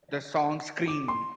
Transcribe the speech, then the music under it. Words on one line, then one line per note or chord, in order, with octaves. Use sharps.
The song Scream!
D6
C6